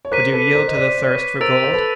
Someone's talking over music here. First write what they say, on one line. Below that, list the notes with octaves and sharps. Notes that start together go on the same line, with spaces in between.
Would you yield to the thirst for gold?
C#5
A#4 C5 D6 F#6 B6 D#7
A4 B4
A#4 C5
D#5
C5 D5
D5
B4 C#5
A#4 C5 E6 A6 D7 F7
C5
A4 B4